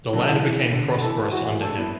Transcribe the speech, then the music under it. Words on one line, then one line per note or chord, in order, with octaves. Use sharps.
The land became prosperous under him.
D3 F#3 A4
E3
E3
D3
E3 A4
E3 F#4
E3
A3 D4 A4
B3 E4